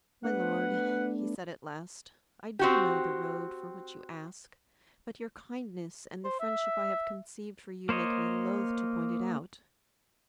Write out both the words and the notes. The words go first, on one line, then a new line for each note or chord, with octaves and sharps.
"My lord," he said at last, "I do know the road for which you ask, but your kindness and the friendship I have conceived for you make me loth to point it out."
A3 B3 D4 B4 F#5
C4 F#4 G4
C5
E5
A#3 C5 C#5 D#5